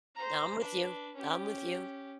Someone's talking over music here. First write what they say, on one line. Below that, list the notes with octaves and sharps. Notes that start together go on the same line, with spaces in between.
I'm with you, I'm with you.
C5 A#5
D4 B4
C#4 G4